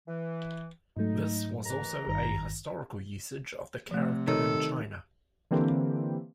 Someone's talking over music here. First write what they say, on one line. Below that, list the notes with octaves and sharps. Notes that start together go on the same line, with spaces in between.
This was also a historical usage of the character in China.
E3
G#2 F#3 A3 D#4
D#2 E3 A#5
G#1 G2 D#3 A#5
C3 F3 A3
D#3 A4 C#5
D3 E3 A#3 C4 G4